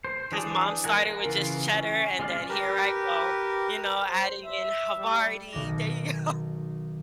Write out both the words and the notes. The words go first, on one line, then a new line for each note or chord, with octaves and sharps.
'Cause mom started with just cheddar, and then here I go, you know, adding in Havarti there you go.
C5
E3 D4 G#4 D5
F4 A#4 F#5 G#5
C#3 E3 F4
C#4
G#3 C#4 F4 D5 F6
G4 A#4 B4
C5
E5
G3
B1 D#3 F#4 D6 A#6